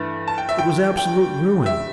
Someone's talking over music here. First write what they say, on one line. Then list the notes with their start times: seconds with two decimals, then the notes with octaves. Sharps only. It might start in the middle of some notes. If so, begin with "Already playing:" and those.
It was absolute ruin.
Already playing: G2 E3 A3
0.28 A5
0.38 G5
0.49 E5
0.59 G5
0.97 G5
1.66 E5